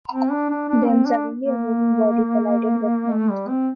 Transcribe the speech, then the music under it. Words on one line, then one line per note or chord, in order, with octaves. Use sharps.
Then suddenly a moving body collided with him.
C4
D4
D4
D4
C4
D4
A#3
A3
G3
C4